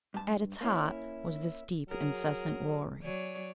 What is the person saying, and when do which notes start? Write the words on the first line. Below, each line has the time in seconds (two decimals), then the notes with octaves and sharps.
At its heart was this deep, incessant roaring.
0.14 G2 A5
0.61 A#3 C#4 E4
1.89 F#3 G#4 A#4
3.03 F#3 C#5 D5 G#5